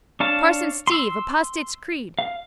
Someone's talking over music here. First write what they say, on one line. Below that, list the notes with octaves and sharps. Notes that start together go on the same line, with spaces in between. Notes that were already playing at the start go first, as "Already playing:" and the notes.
Parson Steve, apostates' creed!
D4 C#5 F5 A5
C6 E6
F5